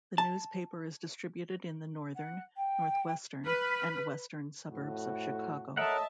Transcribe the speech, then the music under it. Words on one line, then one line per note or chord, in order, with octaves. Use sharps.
The newspaper is distributed in the northern, northwestern and western suburbs of Chicago.
A5
F#5
G5
B4 F6
F2 A2 F#4
A3 A#4 C#5 D#5 E5 F#5 A5